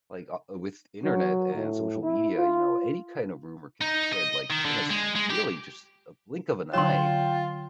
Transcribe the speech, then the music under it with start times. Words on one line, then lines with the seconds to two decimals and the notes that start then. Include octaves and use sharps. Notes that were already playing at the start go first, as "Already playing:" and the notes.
like o with Internet and social media, you know, any kind of rumor can spread, like, in a s really just a blink of an eye.
1.04 F#3
1.55 A2
2.03 E4
2.37 F4
3.81 D#4
4.13 D#5
4.50 D#3
4.65 D3
4.90 G#3
5.16 G#3
5.30 G4
6.73 D3 F#3 F4 C#5 G5 C6 E7